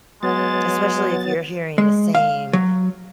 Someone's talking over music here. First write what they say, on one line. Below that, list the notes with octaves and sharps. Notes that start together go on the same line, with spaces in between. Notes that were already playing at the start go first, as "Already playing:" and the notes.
Especially if you're hearing the same,
F#3 G#3 B3 A6
G#3
F5
F#3